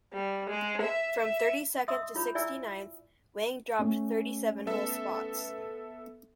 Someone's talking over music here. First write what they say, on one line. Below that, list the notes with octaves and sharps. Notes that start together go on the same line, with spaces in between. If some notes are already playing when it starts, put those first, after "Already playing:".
From thirty-second to sixty-ninth, Wang dropped thirty-seven whole spots.
G3
G#3
E5
E5
D#5 E5 C6 D#6 E6
E4 F4 C#5 B5
E4 D5 E5 G#5 E6
A3 C#4
B3 A4 E5